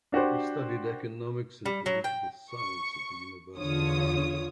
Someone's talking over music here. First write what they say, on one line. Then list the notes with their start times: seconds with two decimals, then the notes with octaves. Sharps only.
He studied economics and political science at the University of London.
0.12 D4 F#4 G4 C5
1.66 G3
1.86 F#3
2.04 G5
2.51 C#6
3.58 E2 D3 F4 C#5 D#6